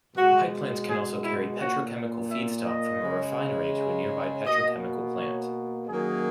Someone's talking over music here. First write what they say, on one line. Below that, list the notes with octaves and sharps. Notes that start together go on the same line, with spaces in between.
Pipelines can also carry petrochemical feedstock from a refinery to a nearby petrochemical plant.
B2 G#3 F#4
G#4
E4
A#2 A#3 F#4
E5
D#5
C#3 G#3
B2 A#3 D#5
C#5
F#2 D#3 F#3 A#3 G#4